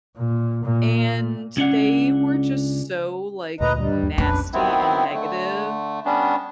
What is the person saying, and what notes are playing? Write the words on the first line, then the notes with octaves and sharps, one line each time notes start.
and they were just so, like, nasty and negative
A#2
A#2
C#2 C#4 D4 F#5
D2 A#2 D3 B4 D#5 A#5
G2 G3
D#2
A#1 F2 C#4 D4 B4
D#3 F#3 B3 C4 E4
D3 A3
G3 B3 C#4 D4